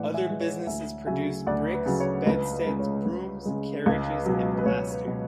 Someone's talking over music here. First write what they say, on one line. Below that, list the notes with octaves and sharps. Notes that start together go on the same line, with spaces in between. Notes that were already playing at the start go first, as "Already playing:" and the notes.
Other businesses produced bricks, bedsteads, brooms, carriages and plaster.
Already playing: A2 E3 G#3 D5 F#5
E5 G#5
E3 G#3
C#5
D2 E5 G#5
C#3 F#3 E5 G#5
D2 D5 F#5
B4
C#3 F#3
C#5
C#2 B4
B4
C#3 G#3
C#5
C#2
C#3 G#3
C#2
B2 F#3
B4
C#2 C#5
B4
B2 F#3